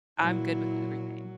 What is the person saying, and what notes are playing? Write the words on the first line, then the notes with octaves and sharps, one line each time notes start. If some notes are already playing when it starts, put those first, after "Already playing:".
I'm good with everything.
A#2 F#3 E4